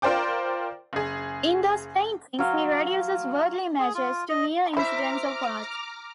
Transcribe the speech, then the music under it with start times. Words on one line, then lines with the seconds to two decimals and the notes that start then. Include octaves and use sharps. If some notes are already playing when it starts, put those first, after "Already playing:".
In those paintings, he reduces worldly images to mere incidents of Art.
0.02 F4 A#4 C5 D5 G5 D6
0.93 F#1 G#4
2.39 F#3 F5 C6
3.80 G#4
3.95 F4
4.29 D#5
4.77 E4 C5 E5 A#5 D6 F6